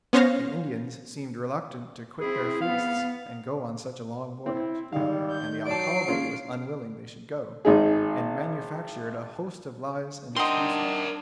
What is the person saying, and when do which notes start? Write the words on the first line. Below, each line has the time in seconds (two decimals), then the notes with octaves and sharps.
The Indians seemed reluctant to quit their feasts and go on such a long voyage, and the alcalde was unwilling they should go, and manufactured a host of lies and excuses.
0.13 B3 C#4 C5 C#5 F5 A#6
2.21 C4 E4 G#4
2.62 B3 F5
4.46 C4 E4
4.92 G#1 D#3 G3 F5
5.31 G6
5.66 F#3 D5 A5 C7 D7
6.08 D#2 C#4 F4 G#4
7.65 G#1 D#4 G#4
10.36 C4 D4 D#4 A#4 F#5 C6